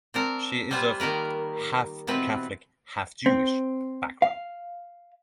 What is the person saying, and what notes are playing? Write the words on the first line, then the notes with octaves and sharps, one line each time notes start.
She is of "half-Catholic, half-Jewish" background.
C4 D4 A#4
G3 F4 B4 C5 G#5
D#3 A#3 A#4 B4
B2 E3 C4 B4
C4
F5